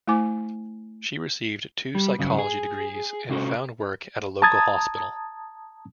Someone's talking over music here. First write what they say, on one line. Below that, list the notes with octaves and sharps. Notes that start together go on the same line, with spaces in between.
She received two psychology degrees and found work at a local hospital.
A3 E4 C5 G#5 D6
G3
G2 C#3 F#3
G#4
C3 C#4 F#4 A4
A5 A#5 D#6 G#6 A6